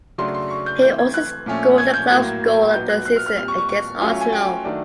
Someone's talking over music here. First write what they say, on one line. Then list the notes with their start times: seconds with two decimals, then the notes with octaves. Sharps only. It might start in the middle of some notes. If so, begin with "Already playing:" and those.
He also scored the club's goal of the season against Arsenal.
0.18 C#3 F#3 A3 D4 C6
0.35 C6
0.50 C#6
0.66 G6
0.82 E3 A3 C4 G6
0.98 G#6
1.14 F#6
1.46 A#2 F3 A3 C#4
1.78 G#6
1.94 G6
2.10 A2 F#3 A#3 G#6
2.74 A#2 F#3 B3 D#4 G6
2.89 F#6
3.05 F#6
3.16 F6
3.26 F6
3.37 A#2 G3 C4 F6
3.48 C#6
3.58 C#6
3.69 C#6
4.01 F#3 A3 C#4 F4
4.21 G#5
4.33 G5
4.64 D#3 F#3 A3 D4